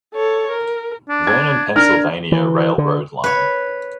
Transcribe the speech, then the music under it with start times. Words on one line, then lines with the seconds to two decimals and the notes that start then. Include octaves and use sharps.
Vernon Pennsylvania Railroad line.
0.14 A4 C#5
0.51 A#4
1.09 D4
1.27 G#6
1.76 D4 A#4 F6
2.32 E3
2.78 D3
3.24 B4 C#5